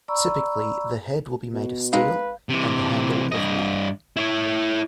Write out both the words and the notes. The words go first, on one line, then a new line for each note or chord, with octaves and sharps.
Typically the head will be made of steel and the handle of wood.
D5 A#5 B5 C#6 E6
B2
G#3 C4 D#4 B4 F5
C3 E3
G2 D#5
E4 C#5